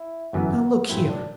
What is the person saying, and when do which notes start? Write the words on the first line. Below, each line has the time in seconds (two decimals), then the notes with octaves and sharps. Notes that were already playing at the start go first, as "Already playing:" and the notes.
Now, look here!
Already playing: E4
0.33 G1 F#2 E3 B3 F#4
0.89 A1 G2 F#3 A3 C4 E4
1.09 D4